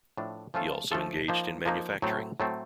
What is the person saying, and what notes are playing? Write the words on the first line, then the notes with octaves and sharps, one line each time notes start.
He also engaged in manufacturing.
A2 F3 A3 D4
F3 A3 C#4 F4 A4
F3 A3 C#4 F4 A4
F3 A#3 D#4
F3 A#3 D#4
A2 F#3 A3 C4
A2 F#3 A3 C4